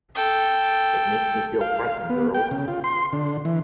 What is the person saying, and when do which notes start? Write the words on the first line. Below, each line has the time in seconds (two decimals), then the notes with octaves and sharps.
It makes me feel frightened, girls.
0.15 A4 G5
1.61 F5
2.10 B3
2.34 G5
2.51 C#3
2.68 F4
2.84 C6
3.13 D3
3.45 E3